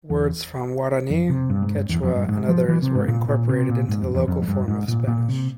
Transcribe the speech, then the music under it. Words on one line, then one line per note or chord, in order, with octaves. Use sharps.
Words from Guarani, Quechua and others were incorporated into the local form of Spanish.
E2
F2
C3
G2
G#2
G2
E2
F2
G2
G#2
F3
E3
C3
G#2
A#2
A#2
C3
A#2
G#2
F2
E2
F2
G#2
G2
G#2
A#2
A#2
C3